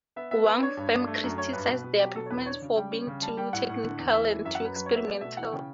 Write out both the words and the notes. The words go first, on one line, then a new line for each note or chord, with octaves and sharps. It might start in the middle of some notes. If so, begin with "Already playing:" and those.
Wang Feng criticized their performance for being too technical and too experimental.
B3 E5
B3 E5
B3 B4
D4 C#5
G2
D4
A3
F#2
C#4 C#5
G2 B4
B2
B2
F#3 G4
B2 A4
C#5
E2 B4
D4 C#5
C#3
G3 G5
C#4
C#3
G3 A5
G3 G5
A2 F#5
A2
D3
E2
E3 E5
E3
F#2 E5
F#5
F#2
B4
F#3 B4
C#5
B3
E5
A3 D5
B2 E5
E3 F#5
C#3 G5